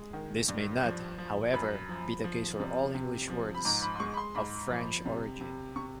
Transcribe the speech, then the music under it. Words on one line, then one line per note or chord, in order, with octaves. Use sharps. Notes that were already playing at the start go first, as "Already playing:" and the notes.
This may not, however, be the case for all English words of French origin.
Already playing: G#3
D#3
G2
F3
F3
F#2 B5
F3
F3
C3
C3
F3
B5
G#2 A#5
B5
C6
G#3 C#6
B5
C6
G#2 B5
F3
C3
C3
C3 C#6